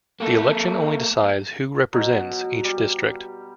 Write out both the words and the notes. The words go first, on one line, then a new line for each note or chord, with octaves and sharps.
The election only decides who represents each district.
A#3 A4
B2 F#3
G3